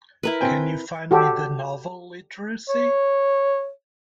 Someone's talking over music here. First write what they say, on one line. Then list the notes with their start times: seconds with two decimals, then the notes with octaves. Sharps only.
Can you find me the novel, Literacy?
0.23 E4 A#4 B4
0.41 C4 G5 G#5
1.11 F#4 G4 A4
2.69 C#5